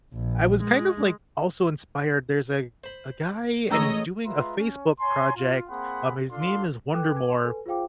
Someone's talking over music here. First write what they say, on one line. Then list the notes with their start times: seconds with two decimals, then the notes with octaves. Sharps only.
I was kind of, like, also inspired there's a a guy and he's doing a Facebook project, um, his name is Wonder More,
0.13 A#1
0.62 G#3
2.84 C5 B5
3.71 A1 G#3 C#4 C#5 D#5 A5 A#5 E6
4.26 G#3 F4 B4 E5 A#5 C6
4.58 C#4
5.01 C#5 G#5 A#5 C6
5.37 F4
5.70 A#3 C4 G#4 F#5 B5 C6
6.31 D4 F4 A4 F5 C6
6.93 A4 B4 G5 D6 F#6
7.14 B4 G#5 D6 G#6
7.29 C6
7.44 A4 B4 G#5
7.66 F4 G#4 C5 F5 G5 D6